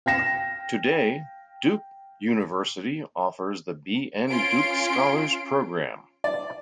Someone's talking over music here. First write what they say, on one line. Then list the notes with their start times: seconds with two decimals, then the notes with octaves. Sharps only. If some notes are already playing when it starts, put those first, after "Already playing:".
Today, Duke University offers the B. N. Duke Scholars program.
0.06 F5 G5 A#6 E7
4.29 C#4 F4 C6 D7
6.24 D5